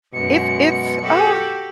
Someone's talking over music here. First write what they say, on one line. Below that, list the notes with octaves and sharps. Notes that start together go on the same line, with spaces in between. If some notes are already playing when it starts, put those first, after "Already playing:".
it's it's, uh
F#2 B2 G#3 C#7
F#4 G4 A4